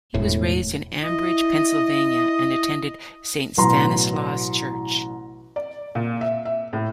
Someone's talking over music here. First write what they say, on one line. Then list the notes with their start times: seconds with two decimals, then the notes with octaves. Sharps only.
He was raised in Ambridge, Pennsylvania and attended St. Stanislaus Church.
0.14 E1 A2
1.03 E4 D#5
3.57 A1 B2 F#3 A#5 C6
5.56 D5
5.95 A#2
6.21 E5
6.45 E5
6.73 A2